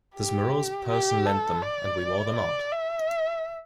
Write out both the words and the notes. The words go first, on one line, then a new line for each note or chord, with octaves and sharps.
This morose person lent them, and we wore them out.
G4
G4
A4
D5
D5
E5